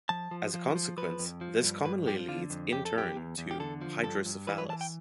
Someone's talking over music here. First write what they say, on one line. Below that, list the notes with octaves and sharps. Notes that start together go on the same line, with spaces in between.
As a consequence, this commonly leads in turn to hydrocephalus.
F3 A5
F3
F3
F3
F3 B4
F2
F3
G2
G2 B4
F3 G4
D3 F4
F2
F2 G4
A4
F2 G4
E2
E2
G4
D3 A4
F3
G2 A4
G2
E3 B4
B4
E3 A5
G5